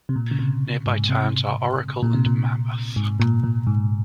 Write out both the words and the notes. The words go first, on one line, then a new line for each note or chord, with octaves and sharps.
Nearby towns are Oracle and Mammoth.
C3
A#2
C#3
C3
G#2
C3
A#2
C3
A#2
G#2
A#2
A#2
G#2